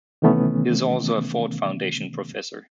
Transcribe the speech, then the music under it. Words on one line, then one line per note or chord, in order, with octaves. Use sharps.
He is also a Ford Foundation Professor.
C3 D#3 E3 A3 B3 C#4